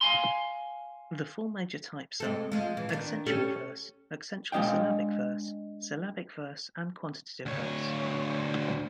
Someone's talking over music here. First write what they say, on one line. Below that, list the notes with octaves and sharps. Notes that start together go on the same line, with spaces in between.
The four major types are: accentual verse, accentual-syllabic verse, syllabic verse and quantitative verse.
F5 G#5 C6
G#3 C4 A4
F3 G#3
E3
D#3 D4
C#4 G4 A4
G#3 D4 D#5 F5 G5
D2 C#5